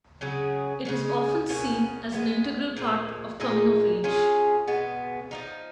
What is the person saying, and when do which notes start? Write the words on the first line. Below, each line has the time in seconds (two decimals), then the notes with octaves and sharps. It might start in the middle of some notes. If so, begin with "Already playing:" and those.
It is often seen as an integral part of coming of age.
0.21 C#3 F#3 C#4 G#4
0.85 C#3 G#3 C#4
1.49 B2 A#3 C#4 G#4
2.12 G#3 B3 F4
2.76 A#2 F3 G#3
3.40 A#2 G#3 D#4 G#4
4.04 G#3 C#4 F4 G#4
4.67 B2 G#3 B3
5.31 F3 G#3 D#4